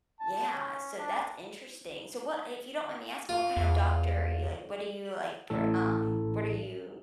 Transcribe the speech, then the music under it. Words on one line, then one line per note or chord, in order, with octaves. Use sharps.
Yeah, so that's interesting, so what if you don't mind me asking, what kinda doctor are you? Like, what do you, like, per um, what are you
A5
C#4
D4
F4
E2
A1 A2 A4